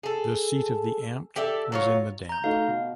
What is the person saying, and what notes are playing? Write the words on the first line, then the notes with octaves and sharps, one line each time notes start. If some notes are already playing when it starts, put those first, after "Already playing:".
The seat of the "Amt" was in Damp.
G#4 A4
G4 A4 D5 E5
F#3 F4 C#5
A#5 G6
A3 D#4 F#4 F5
B2